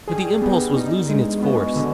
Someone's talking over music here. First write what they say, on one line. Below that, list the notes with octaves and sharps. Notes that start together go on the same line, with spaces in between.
"But the impulse was losing its force."
G2 G#4
G2
B3
D#4
G#3
G#2 B2 B3
D3